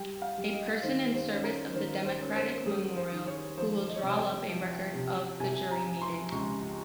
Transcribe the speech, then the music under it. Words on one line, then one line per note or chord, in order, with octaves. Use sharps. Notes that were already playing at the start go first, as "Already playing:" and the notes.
A person in service of the Democratic Memorial who will draw up a record of the jury meeting.
Already playing: G3 G5
F5
G3
D#5
D#3 C5
C5
C#4
A#4
D#3 C5
C5
C#4
C5
G3 G#4
C5
D#3
C#5
F3 C5
D#5
C#5
C3 D#5
G5
F3
C3
C3 G#5
A#5
F3
C6
C#2 C#6